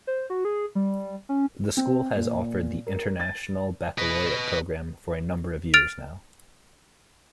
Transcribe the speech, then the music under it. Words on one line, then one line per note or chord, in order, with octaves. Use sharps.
The school has offered the International Baccalaureate program for a number of years now.
C5
F#4
G#4
G3
C#4
C4
A#2
A#4
A6
B4 D#5
F6 A6 D7 F7